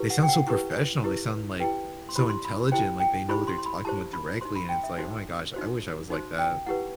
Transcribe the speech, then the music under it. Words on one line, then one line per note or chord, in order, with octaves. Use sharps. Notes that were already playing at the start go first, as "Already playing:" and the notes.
"They sound so professional. They sound, like, so intelligent. Like, they know what they're talking about directly," and it's, "Oh my gosh. I wish I was like that."
Already playing: E4 G4 B4
F#5
G5
F#5
E4 G4 B4
E4 G4 B4
E4 G4 B4 G5
C6
E4 G4 C5 B5
C6
B5
E4 G4 C5 G5
G5
E4 G4 C5 B5
C6
C6
B5
E4 G4 C5 A5
B5
D#4 F#4 C5 C6
B5
G5
E5
D#4 F#4 C5
D#4 F#4 C5
D#4 F#4 C5
G5
E4 G4 B4 F#5